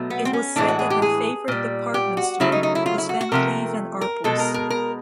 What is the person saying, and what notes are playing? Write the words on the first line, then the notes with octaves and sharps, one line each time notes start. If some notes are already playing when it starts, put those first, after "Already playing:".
It was said that her favorite "department store" was Van Cleef and Arpels.
Already playing: B2 F#3 A3
B3
C4
C#4
A2 E3 G#3 D4
F#4
G#4
G4
G#4
A#2 G3
G4
F#4
C#3 F#3 A3 E4
D#4
D#4
E4
F4
E4
F#4
F#4
C3 F3 A3 A#4
A#4
B2 G#3 A4
A#4
A#4
A#4